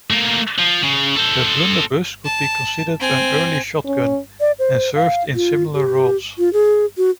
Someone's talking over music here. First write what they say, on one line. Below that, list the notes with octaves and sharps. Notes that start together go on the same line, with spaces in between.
The blunderbuss could be considered an early shotgun, and served in similar roles.
A3 A#3
F3
C#3
A4 C5
A5
C4 G#5
C#4
D5
C5
F5
F4
G4
F4
G#4
F#4